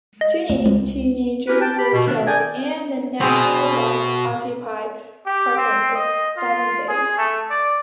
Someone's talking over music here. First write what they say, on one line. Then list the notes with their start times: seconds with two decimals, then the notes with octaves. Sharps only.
Two teenagers were killed, and the National Guard occupied Parkland for seven days.
0.21 D#5
0.50 D2
0.66 C#2
1.48 C#4 E4 F#4 G4 A#4 B4
1.61 G5 A5
1.78 G4 B5
1.92 B2
2.06 D#3 A3 B3 D4
2.26 G#4 A#4 D5 G5 G#5
3.21 B2 C4 G#4
5.26 G4
5.57 C4
5.95 D#5
6.38 F4
6.88 G#4
7.17 A3
7.50 D5